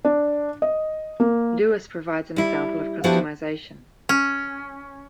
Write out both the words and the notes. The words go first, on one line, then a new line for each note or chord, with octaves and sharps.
Lewis provides an example of customization.
D4
D#5
A#3
G3 E4
F3 B3 D4 E4 F#4 G4
C#4